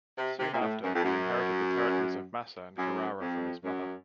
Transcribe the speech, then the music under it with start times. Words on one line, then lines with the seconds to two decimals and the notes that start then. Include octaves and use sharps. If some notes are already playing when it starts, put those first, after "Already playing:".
Soon after, he inherited the territories of Massa and Carrara from his mother.
0.18 C3
0.39 C3
0.54 A#2
0.61 A2
0.83 F#2
0.95 F2
1.04 F#2
2.78 F#2
3.21 F2
3.64 F#2